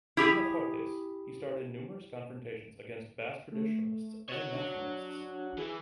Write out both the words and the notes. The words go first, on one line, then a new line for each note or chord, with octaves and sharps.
In the Cortes he starred in numerous confrontations against Basque traditionalists and nationalists.
E4 G4 G#4
A3
F#4 C#5
D4
E3 G#4